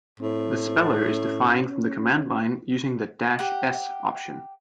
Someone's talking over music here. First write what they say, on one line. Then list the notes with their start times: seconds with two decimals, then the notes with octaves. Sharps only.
The speller is defined from the command line using the -s option.
0.20 A2 C4
0.77 F#5 A5
1.12 C#4
3.39 G4 F#5